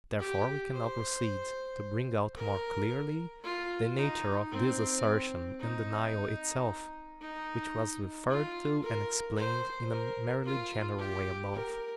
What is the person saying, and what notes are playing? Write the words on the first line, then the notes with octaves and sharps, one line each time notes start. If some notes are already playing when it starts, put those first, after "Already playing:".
Therefore we can now proceed to bring out more clearly the nature of this assertion and denial itself, which was referred to and explained in a merely general way above.
G4
C5
A#4
F4
D#4
C4
D#4
D#4
F4
A#4
C5
A#4
F4
G4
A#4